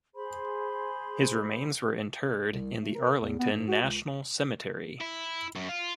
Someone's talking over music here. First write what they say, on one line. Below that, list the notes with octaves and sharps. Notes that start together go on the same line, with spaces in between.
His remains were interred in the Arlington National Cemetery.
G#4 C5 B5 C6
C2
A3
A#4
E2
B3
G#2
F#4
C#2
E4
F#2
F4